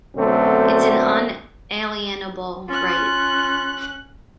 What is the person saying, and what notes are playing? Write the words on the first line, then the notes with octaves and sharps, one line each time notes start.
It's an unalienable right.
F#2 B2 D3 F#3 A3 C4
C#4 F4 F#6